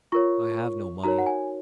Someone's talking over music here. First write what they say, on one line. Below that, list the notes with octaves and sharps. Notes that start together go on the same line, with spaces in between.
"I have no money."
F4 A#4 C#5 C#6
D#4 F#4 A#4 C#5 A#5
F#5
G#5